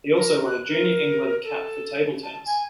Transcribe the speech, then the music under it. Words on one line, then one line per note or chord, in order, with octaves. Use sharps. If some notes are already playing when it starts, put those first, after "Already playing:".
He also won a junior England cap for table tennis.
A#4
F#6
A#4
A4
A5
G#5